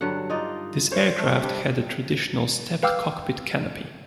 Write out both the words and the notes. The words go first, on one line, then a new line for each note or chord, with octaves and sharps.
This aircraft had a traditional stepped cockpit canopy.
G2 D3 F#3 F#5
D#4 F4 D5 D#5
C5 C#5 F5
A3 E5
G3 D4
B4 F5 G5 D6 E6 F6